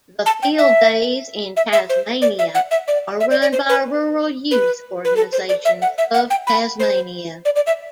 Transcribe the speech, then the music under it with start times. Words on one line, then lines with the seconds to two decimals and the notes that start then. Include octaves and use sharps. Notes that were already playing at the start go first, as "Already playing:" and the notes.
The Field days in Tasmania are run by Rural Youth organisation of Tasmania.
0.26 A5
0.42 G5
0.58 E5
1.57 E5
1.73 E5
1.89 C5
2.22 D5
2.39 E5
2.55 F#5
2.71 E5
2.88 D5
3.20 E5
3.31 D5
3.42 D5
3.53 C5
3.69 B4
4.51 B4
5.05 B4
5.16 A4
5.33 C5
5.49 D5
5.65 E5
5.82 F#5
5.98 E5
6.14 F#5
6.30 G5
6.47 B5
6.80 C5
7.45 D5
7.56 D5
7.67 E5